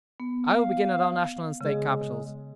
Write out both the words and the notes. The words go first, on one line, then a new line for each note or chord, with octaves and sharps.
I will begin at our national and State capitals.
B3
F5
C#3 G#3 G#4